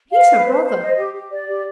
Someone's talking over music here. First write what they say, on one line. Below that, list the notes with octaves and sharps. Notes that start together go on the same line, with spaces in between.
He's her brother.
F5
B4
C5
C5
D#5
G4
G4
D5
G4